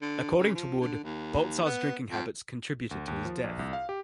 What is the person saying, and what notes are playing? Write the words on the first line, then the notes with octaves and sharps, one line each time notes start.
According to Wood, Baltzar's drinking habits contributed to his death.
D3
C#3
F3
D3
D#2
B3
F2
D2
D#2
F3
A#1
C2
F5
G4